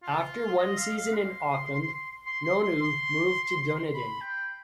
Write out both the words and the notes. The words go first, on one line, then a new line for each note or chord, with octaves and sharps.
After one season in Auckland, Nonu moved to Dunedin.
F4
D#5
F5
F5
C6
C6
C6
C6
C6
B5
G5